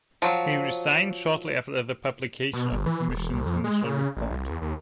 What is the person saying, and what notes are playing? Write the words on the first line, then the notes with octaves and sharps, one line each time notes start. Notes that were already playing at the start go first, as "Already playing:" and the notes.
He resigned shortly after the publication of the Commission's initial report.
F3 F#3
B2
G1
E3
E1
C2
F2
G#3
C#3
A1
C2
E2
D#2